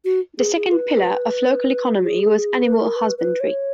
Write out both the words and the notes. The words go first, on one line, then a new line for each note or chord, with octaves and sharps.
The second pillar of local economy was animal husbandry.
F#4
G#4
G#4
B4
F#4
G#4
B4
A#4
B4
B4
C#5